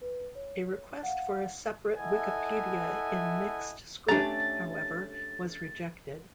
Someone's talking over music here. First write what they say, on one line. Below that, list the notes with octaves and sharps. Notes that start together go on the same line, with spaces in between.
A request for a separate Wikipedia in mixed script, however, was rejected.
B4
C#5
F5 F#5
E4 A4 D#5 E5 F#5 G#5
A3 C#4 D4 G4 A#5 A6